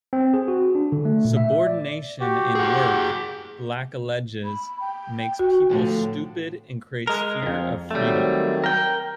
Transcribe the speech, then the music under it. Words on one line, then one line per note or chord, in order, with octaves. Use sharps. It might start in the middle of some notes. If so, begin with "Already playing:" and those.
Subordination in work, Black alleges, makes people stupid and creates fear of freedom.
C4
G#4
F#4
D4
D3
A3
A#2
E5
D5
F#4 G4
G#4 F#5
B5
G5
F#4
A2 D3 F3
G#3 A#4
F2 G#2
D#3 F#3 G3 A3 C4
A#4 G5